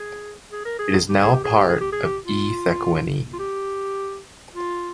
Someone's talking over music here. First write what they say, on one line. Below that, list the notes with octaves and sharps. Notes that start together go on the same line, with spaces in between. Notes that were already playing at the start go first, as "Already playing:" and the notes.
It is now part of eThekwini.
Already playing: G#4
G#4
A#4
G#4
G4
G#4
G4
G#4
G4
G#4
G4
G#4
G4
F4
F4
G4
F4